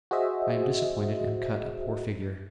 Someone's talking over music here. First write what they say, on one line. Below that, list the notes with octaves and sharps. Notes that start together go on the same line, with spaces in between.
I am disappointed and cut a poor figure.'
F#4 G#4 C5 D#5 E5